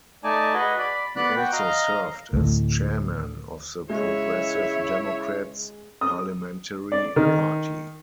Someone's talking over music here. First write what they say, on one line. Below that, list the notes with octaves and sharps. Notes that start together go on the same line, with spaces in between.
He also served as Chairman of the Progressive Democrats Parliamentary Party.
A3 D#4 D5 G#5 A5
F#4 G#4 B4 D#5
D5 B5
B3 D5 B5 F#6
F#4 G5
D#5 F5 A#5
D2 A2
C#3 G#3 E4 C#5 E5
D#6
D5
D#3